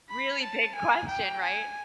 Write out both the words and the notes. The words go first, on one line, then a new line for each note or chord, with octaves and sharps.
Really big question. Right?
B5
A5
G#5
G5
G#5